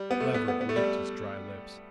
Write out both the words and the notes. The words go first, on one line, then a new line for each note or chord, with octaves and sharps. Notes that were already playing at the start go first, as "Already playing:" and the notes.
Leverett licked his dry lips.
Already playing: G3
B3
A3
B3
B3
B3
A3
G3
A3